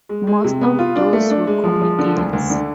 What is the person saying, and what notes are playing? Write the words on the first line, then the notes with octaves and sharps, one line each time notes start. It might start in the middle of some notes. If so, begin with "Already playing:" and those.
Most of these were comedies.
G#3
G#3
C3
B3
F4
D4
A3
D4
G#3
F3
F3
D3
D2
D2
D3